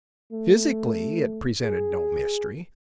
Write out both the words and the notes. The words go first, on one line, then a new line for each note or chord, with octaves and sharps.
Physically it presented no mystery.
A3
G#4